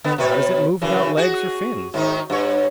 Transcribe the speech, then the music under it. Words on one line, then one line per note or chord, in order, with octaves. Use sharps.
How does it move without legs or fins?
D3 B3
B2 B4 C#5
F#2 C#3 E3
F#4 G#4
G#2 D#3 D#4
G2 C#5